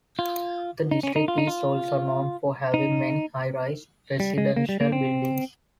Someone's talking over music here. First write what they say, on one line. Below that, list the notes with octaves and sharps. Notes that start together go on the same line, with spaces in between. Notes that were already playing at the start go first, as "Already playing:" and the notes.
The district is also known for having many high-rise residential buildings.
F4
D#4
C#4
D#4
F4
D#4
F4
D#4
G3
G#3
A#3
G3
A#3
C4